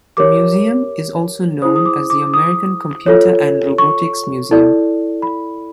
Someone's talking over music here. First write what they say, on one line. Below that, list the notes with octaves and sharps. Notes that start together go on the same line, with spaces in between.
The museum is also known as the American Computer and Robotics Museum.
G4 A#4 C#5 D6
E4 G#4 C5 D#6
D#6
D6
D6
D#6
F4 A4 C#5
C#6
E4 A4 D5
B5